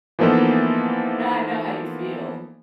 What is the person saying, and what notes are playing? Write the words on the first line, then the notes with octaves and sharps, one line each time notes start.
No, I know how you feel.
E3 F3 A#3 B3 D#4 A4